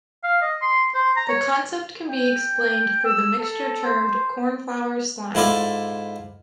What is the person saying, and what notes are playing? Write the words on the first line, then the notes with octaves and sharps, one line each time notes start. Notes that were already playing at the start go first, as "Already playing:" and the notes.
The concept can be explained through the mixture termed "cornflour slime".
F5
D#5
C6
C5
A#5
C#5
G5
E6
A4
C5
G#2 E4 F4 A4 D5